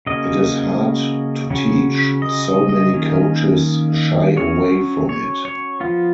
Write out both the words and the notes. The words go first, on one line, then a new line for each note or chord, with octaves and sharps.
It is hard to teach, so many coaches shy away from it.
C#3 F#3 A#3 C#4 D#5
C#3 F#3 C#4
D#5
D#5
D#5
D#3 A#3 C#4
F#3 C#4 C#5
C#5
C#5
F3 B3 F4